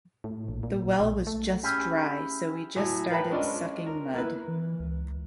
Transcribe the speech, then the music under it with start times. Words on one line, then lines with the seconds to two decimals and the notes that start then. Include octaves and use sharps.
The well was just dry, so we just started sucking mud.
0.24 A2
0.48 A#1
0.63 A#2
1.00 B1
1.27 A3
1.63 C#4 E4 G4 G#4
2.76 A2 F#3 G#5
3.10 A#4 B4 G5 A5 B5
3.30 G#3 C#4 D4 F4 D5 D#5
3.86 A#4
4.14 A#3 E4 B4
4.48 E3
4.80 C#2